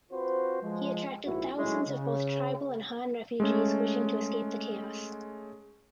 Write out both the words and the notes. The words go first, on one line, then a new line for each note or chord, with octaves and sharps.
He attracted thousands of both tribal and Han refugees wishing to escape the chaos.
C4 F4 F#4 B4 C5
F3 G#3
A#1 G#2 E4 F#4
F#3 G#3 A3 C#4 E4
C#3
G#3 A3 C#4